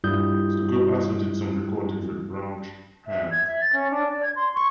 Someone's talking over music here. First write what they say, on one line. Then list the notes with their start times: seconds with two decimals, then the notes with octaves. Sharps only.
The group also did some recordings with Raunch Hands.
0.04 G2 G3 E4 F4 D#6 G6
3.06 E5
3.31 G#6
3.48 E5
3.61 A6
3.73 C#4
3.91 D4
4.09 D5
4.23 G#6
4.36 C6
4.55 C#6